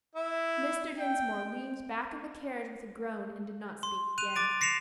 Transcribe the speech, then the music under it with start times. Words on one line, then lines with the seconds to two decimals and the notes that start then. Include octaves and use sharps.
Mr. Dinsmore leaned back in the carriage with a groan and did not speak again.
0.15 E4
0.98 G5
3.83 C6
4.18 F#6 D#7 F7
4.36 D6 A6 D7
4.61 A#6 C7 C#7 E7 F7